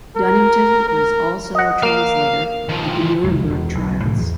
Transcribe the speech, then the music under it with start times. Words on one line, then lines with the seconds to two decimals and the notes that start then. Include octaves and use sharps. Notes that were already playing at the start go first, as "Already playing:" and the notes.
Dunnington was also a translator at the Nuremberg trials.
0.16 A#4
0.88 A#4
1.55 D#5 F#5
1.83 A#3 F5
2.69 D#3 F3
3.24 F1 C#2
3.49 E1
3.75 B1
4.03 C2 A2 D3 E3
4.21 E2